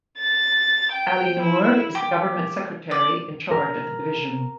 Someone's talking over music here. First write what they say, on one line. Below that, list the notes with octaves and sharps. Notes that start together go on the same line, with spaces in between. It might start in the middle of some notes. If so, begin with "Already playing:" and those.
Ali Noor is the government secretary in charge of the division.
A6
G5
E4
G4
D5
A#4